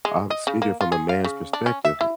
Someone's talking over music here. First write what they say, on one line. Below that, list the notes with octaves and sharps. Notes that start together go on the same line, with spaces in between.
I'm speaking from a man's perspective.
G#3
D#5
C#3
A#3
F4
G#4
F5
C#3
D4
C#4
E5
E4